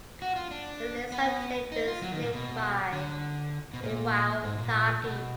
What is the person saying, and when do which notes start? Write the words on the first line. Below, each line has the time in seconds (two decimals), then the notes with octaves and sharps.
The list of chitons named by Iwao Taki.
0.22 F#4
0.36 F4
0.51 D4
1.12 B3
1.72 D#4
1.87 F4
2.02 F#3
2.12 D#3
2.22 A#2
2.33 B2
2.93 D3
3.74 B2
3.83 A#2
4.44 G#2
4.58 A#2
5.04 B2